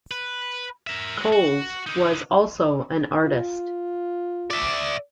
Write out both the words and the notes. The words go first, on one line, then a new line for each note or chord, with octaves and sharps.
Coles was also an artist.
B4
A#4 E5
G#3 F#4
F#4
D3 D#4
F4
D5 E5